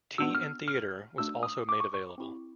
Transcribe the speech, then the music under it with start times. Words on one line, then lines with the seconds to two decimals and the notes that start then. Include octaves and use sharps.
"Tea and Theatre" was also made available.
0.18 B3 D4 F#4 E6
0.35 F6
0.68 F6
1.18 A3 D4 F#4 E6
1.43 D#6
1.69 D6
1.80 C#6
1.94 C#6
2.18 C4 E4 G4